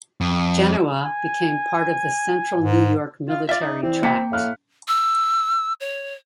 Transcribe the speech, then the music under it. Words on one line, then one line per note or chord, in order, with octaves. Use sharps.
Genoa became part of the Central New York Military Tract.
F2
G#5
G#2
F4
F4 D5 E5
D#4
E3 C4
A#3 G5 B6 C#7
A2 F5 F6 F#6
E6
C#5